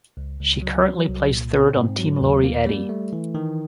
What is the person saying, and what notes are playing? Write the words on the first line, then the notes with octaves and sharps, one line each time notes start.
She currently plays third on Team Lori Eddy.
C#2
C#2
F#3
F#3
C2
A#2
C4
G#2
F#3
D#2
A#3
G3
A3
E3
D#3